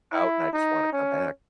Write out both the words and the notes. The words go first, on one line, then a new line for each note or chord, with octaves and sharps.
out and I just wanna come back.
E4
D#4
C#4